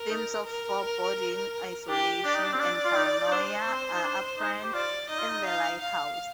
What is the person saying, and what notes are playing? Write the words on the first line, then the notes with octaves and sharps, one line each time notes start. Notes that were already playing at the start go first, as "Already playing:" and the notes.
Themes of foreboding, isolation and paranoia are apparent in "The Light-House".
Already playing: A#4
D#4
A#4
D4 G4
D4 D5
D#4
D4
C4
D4 D5
F4
D#4
D#4
D4 C5
C4
D#4
D4
D#4
G4
F4 D5
D#4 D#5
F4
D#4
F5
F5